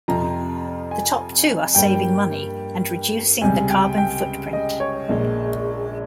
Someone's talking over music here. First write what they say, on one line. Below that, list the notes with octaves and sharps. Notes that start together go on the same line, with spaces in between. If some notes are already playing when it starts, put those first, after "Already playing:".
The top two are saving money, and reducing the carbon footprint.
F2 C3 F3 A#5
G#5
G2 G3 A#3 G5
C#2 C3 G3 G#5
G5
G5
D#5
C#5
A#1 A#2 G#3